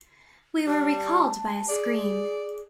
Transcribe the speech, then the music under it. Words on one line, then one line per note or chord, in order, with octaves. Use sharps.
We were recalled by a scream.
G3 A5
G#4 D5